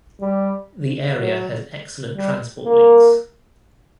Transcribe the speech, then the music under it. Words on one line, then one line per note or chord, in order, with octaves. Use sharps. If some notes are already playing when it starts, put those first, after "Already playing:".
The area has excellent transport links.
G3
F#3
G3
A#3